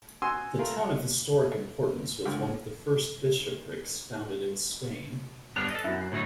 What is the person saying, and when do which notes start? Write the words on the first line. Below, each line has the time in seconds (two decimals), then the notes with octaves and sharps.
The town of historic importance was one of the first bishoprics founded in Spain.
0.22 F#4 G#5 C6 D#6 E6
0.59 A3 F4 A#4
0.80 F#5
2.25 C#2 D3 G5
5.56 G2 B3 D4 F6 F#6 F7
5.71 A4 D#5
5.84 F#2 E4 F#4
5.98 F#6 C7
6.12 D2 A2 F#3 D#4